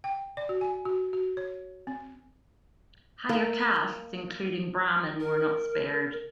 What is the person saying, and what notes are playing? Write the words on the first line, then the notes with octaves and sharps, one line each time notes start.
Higher castes including Brahmin were not spared.
G5
D5
F#4
G#5
F#4
F#4
C#5
C4
A#3
A#4